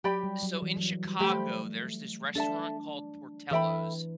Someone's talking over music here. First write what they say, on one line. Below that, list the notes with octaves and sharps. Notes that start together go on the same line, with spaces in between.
So, in Chicago, there's this restaurant called Portillo's.
F#3 G4 D5 G5 B5
G3
F#3
E3
F#3
F#3
G3
A3 G4 C5 G5 B5
D4 A4 E5 A5
E3 A4 E5 G5 B5